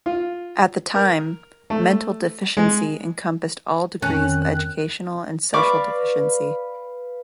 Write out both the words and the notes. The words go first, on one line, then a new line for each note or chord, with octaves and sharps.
At the time, "mental deficiency" encompassed all degrees of educational and social deficiency.
F4
A#4
A3
G#3
F2 D#3 C4 C#4 F#6
B4 D5 F5 B5 C#6 D6